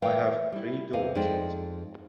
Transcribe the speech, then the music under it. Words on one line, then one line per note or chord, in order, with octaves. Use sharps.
I have three daughters.
E3 A3 A#4 F5 G5
G3 E4
E2 C3 D#5 F5
F2 G#3 D#4 C5 D5 G5